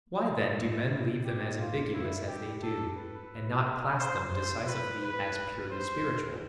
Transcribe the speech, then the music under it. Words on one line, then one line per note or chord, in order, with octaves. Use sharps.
Why then do men leave them as ambiguous as they do, and not class them decisively as purely spiritual?
A3
E4
G4
F4
E4
G4
A4
B4
C5
C5
B4
B4
C5